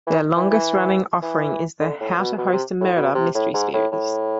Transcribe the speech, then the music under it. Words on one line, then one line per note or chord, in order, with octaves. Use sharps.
Their longest-running offering is the "How to Host a Murder" Mystery series.
E3
E3
E3
E3
D3
A2
B2
B2
C3
A2
B2
C3
A2
G#2
A2
A2